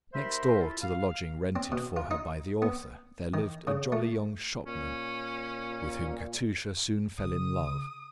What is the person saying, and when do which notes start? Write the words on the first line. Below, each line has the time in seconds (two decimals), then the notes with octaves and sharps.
Next door to the lodging rented for her by the author there lived a jolly young shopman, with whom Katusha soon fell in love.
0.14 D#2 A#4 C5 E5 B5 C6
0.60 E4 F4 A4
0.82 F5
1.56 C4
1.72 B2
1.96 F4
2.11 D#4
2.62 B3
3.34 D#3
3.67 C#3
3.92 A3
4.66 A#2 C#4
7.18 C#3 D#6